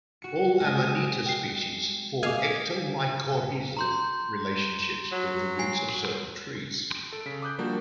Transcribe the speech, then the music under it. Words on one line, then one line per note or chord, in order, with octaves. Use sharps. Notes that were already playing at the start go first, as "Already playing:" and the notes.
All "Amanita" species form ectomycorrhizal relationships with the roots of certain trees.
F#4 C#7
G#3 D#5
G5 C7
G#4 F5 G#5 D6 G#6
A#5 C6 G6
F#3
G#5 C7
A4 D7
C#3 B6
D6 D#6 F#6 G6
F3 G3 A#3 D4 F#4